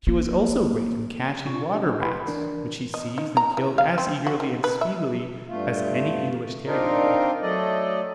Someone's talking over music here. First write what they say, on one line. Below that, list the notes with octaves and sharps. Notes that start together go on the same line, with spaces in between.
She was also great in catching water-rats, which she seized and killed as eagerly and speedily as any English terrier would.
A#3
B2 D4 F4 C#6
D4 G4 D#5
E4 B4 B5 C6
C#2 E3 D4 A#4
D#5
D#4
A#5
E3
F5
C4
F#4
D#3
B4
E5
G2 A3 F4
C4 D4 D#4 F4 A#4
F#3 A3 A4 D5 D#5